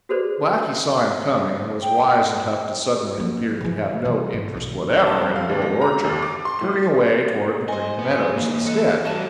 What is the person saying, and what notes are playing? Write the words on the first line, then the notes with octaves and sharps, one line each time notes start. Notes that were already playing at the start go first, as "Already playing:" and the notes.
Blacky saw him coming and was wise enough to suddenly appear to have no interest whatever in the Old Orchard, turning away toward the Green Meadows instead.
F#4 G#4 A4 B4 C5 D5
G5
F#3 A#3
C#3 E3
C3 G3
G#1
B1 D#3
A5
G3
F5
D#2
G#3
A#5
D#2
D6
C6
A2
C5 D#5 G#5
B3
E3 A#3
A4 B4 D#5
G3 F#4 D#5 A5